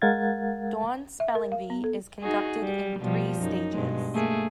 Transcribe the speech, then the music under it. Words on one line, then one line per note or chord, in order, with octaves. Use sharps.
Dawn Spelling Bee is conducted in three stages.
G#3 A#4 F5 F#5 G#6 A6
E5
A#4
F5
B3
A4
D#4 F#4 G#4
G3
B2 F3 G3
F#2 D#4
G2 B2 G#3
A3 A#3 G#4